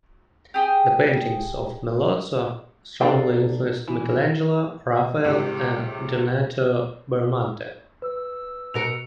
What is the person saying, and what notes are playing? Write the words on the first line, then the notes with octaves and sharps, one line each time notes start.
The paintings of Melozzo strongly influenced Michelangelo, Raphael and Donato Bramante.
G4 G#4 G5
D4 D#4 A4 F5 G5
E3
C#2 A2 C3
B4 E6
B2 F#4 A#4 C#7 F7